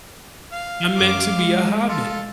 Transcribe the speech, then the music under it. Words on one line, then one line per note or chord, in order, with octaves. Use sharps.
I'm meant to be a hobbit."
F5
F#2 D6
G#3
F4 A4